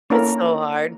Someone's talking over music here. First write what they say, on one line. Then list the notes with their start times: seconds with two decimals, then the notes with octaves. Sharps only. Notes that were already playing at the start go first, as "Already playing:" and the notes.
It's so hard.
0.10 A#3 C#4 D4 E4 A4 A#4